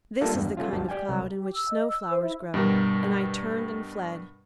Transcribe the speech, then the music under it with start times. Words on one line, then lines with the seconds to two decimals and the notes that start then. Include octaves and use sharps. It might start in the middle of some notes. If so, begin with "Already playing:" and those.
This is the kind of cloud in which snow-flowers grow, and I turned and fled.
0.21 G3 A3 A#3 D4 F4 A4
0.34 E2 G2
0.57 F#3 A3 C#4 F4
0.72 G1 D2 G3 A5
0.89 G4 D5 G5 G#5
1.09 C2
1.36 G4
1.54 E6
1.69 D#5
1.88 E6
2.10 C5
2.21 E4
2.54 G2 B2 G3 A#4